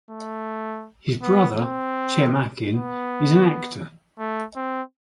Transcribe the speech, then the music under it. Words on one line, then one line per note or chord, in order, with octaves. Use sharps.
His brother, Cem Akin is an actor.
A3
B3
C4
B3
A3
C4